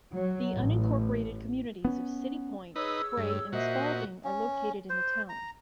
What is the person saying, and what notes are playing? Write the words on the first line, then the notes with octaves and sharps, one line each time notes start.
The unincorporated communities of City Point, Pray, and Spaulding are located in the town.
F#3
A1
B3 C#4
D#4 G#4 B4 C#5 E6
G2
A#2 F#4 C5 D#5 E5
C#4
C5
A#5